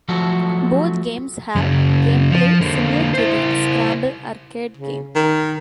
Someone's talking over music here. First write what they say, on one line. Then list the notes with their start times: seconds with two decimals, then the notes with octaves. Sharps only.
Both games have gameplay similar to the "Scramble" arcade game.
0.09 F3 F#3 A3 F#4 A4
1.55 F#2 C#3
2.31 F3
2.61 D3 A#3
3.14 E4 C5
4.77 C#3
5.15 D#3